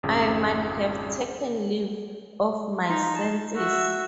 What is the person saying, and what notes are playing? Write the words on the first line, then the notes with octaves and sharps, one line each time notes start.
I might have taken leave of my senses.
G#1 F2 C#3
D#4 F4
A5
F#4 E5